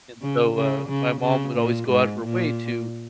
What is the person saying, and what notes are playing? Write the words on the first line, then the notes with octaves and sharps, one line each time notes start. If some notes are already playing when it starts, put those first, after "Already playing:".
And so, uh, my mom would always go out of her way to
C#3
C#3
C#3
C#3
A#2
G#2
A#2